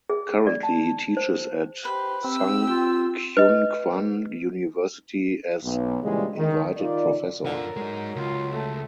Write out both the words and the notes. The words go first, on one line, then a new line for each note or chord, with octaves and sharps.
Currently he teaches at Sungkyunkwan University as Invited Professor.
G#4
D5
A5
C5
G4 B4 C5
C4 G4 E6
F4 G5
B4 D#5
B1
D2 A#2 C#3 E3 G3 G#3
D#3
D#4 F4 A#4 D5
F#2 D3 F4 A#4
F#3 G#3 D#4
C#2 F4
A3